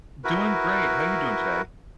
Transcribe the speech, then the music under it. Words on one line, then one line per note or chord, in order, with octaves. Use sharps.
Doing great. How you doing today?
E4 F#4 A#4 B4